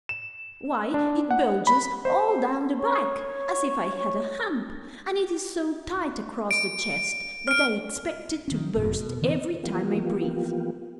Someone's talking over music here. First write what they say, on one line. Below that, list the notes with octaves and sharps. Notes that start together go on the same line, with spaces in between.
Why it bulges all down the back, as if I had a hump, and it is so tight across the chest that I expect it to burst every time I breathe.
E7
D4
F#5
B5
C5
C#5 C#6
D7
F6 D7
D#3 C#4
E1 F2 G#2 B2
B2
D3 E3 B3 C4
E3 F3 A#3 B3 F4 G4